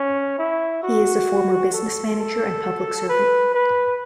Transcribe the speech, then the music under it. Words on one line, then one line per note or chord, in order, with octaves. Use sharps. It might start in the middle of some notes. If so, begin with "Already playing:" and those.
He is a former business manager and public servant.
Already playing: C#4
E4
F#4
A4
A4
B4
B4